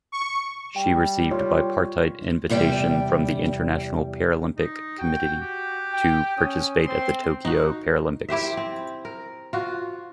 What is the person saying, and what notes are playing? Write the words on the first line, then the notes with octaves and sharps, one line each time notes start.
She received bipartite invitation from International Paralympic Committee to participate at the Tokyo Paralympics.
C#6
G3 G5
F4 C#5
E2 C3 G3 D5 G5
D#4
F#4 G5
G4
G5
C#4 D#6
C4 C6
D#4 F#4
E4 G4 C5 E5
C4
A#4
F4 F#4